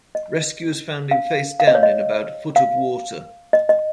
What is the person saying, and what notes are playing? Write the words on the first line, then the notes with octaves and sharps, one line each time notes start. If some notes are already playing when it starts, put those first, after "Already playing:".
Rescuers found him face down in about a foot of water.
D#5
F5
F5
D#5
C#5
D#5
F5
D#5
D#5